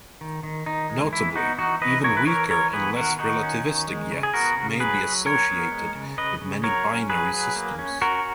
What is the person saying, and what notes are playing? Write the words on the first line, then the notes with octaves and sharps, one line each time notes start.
Notably, even weaker and less relativistic jets may be associated with many binary systems.
D#3
D#3
D#3 D#4
G#3
E3 E4
B3 D#4 F#4
E3 D#4 F#4
E3 B4 D#5
E3 A#4 C#5
B4
E3 A#4 C#5
E3 A#4 C#5
B3 G#4 B4
D#3 F#4 A#4
D#3 D#4 F#4
C#4
D#3
G#3
C#3
G#4
B3 F#4 A#4
C#3
F#3 G#4 B4
F#3
F#3 A#4 C#5
B3
G#3
C#3
C#3 B4 D#5
C#3
F#3 A#4 C#5
C#4
F#3 G#4 B4
F#3
A#3
C#4
C#4 F#4 A#4